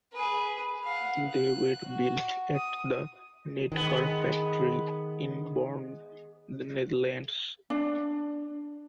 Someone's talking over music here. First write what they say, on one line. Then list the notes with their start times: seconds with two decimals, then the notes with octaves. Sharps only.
They were built at the NedCar factory in Born, The Netherlands.
0.13 G#4 B4
0.84 F5 F#5
1.31 F#6
1.85 F#4
2.55 D#6
3.72 D#3 G#3 B3
7.70 D4